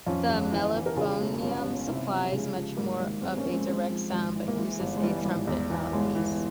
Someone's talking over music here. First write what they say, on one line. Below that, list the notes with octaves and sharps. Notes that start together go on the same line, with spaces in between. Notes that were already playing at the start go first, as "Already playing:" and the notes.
The mellophonium supplies much more of a direct sound but uses a trumpet mouthpiece.
F2 C#4 F4
G1
E3
E3
A#4
C#3 F4 G#4
E1
G1 C#4 F4
G1
C#4
C3 C4 E4
F3
C#3 G#3
F3
G#2 G3 A#3
G#1
G2 G#3 C4
A#3 C#4
F3
G#3 C4
F3 G#3 C4
F3
G#1
E3
A#3
E3 G#3
G1
G#3
E3 G3
G#1
E2
E3
G1 G#3
E3